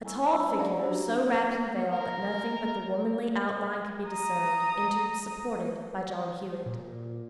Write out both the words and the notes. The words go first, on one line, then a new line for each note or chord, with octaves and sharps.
A tall figure, so wrapped and veiled that nothing but the womanly outline could be discerned, entered, supported by John Hewett.
G3 E4 G#5 A#5 C#6 E6
C#4 D4 C5 G#5 B5 E6
B4 D5
F#3 G#4 C5 D5 F5 F#5
D4 F#4 G4
A#5
A#4
A#5 D#6
A#2